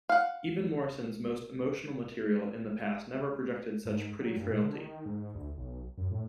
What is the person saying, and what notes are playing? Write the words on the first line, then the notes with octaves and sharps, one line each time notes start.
Even Morrison's most emotional material in the past never projected such pretty frailty.
F5 F#5
G#2
F#3
G2
A#2
D3
D#3
G#2
D2
B1
F#2
A2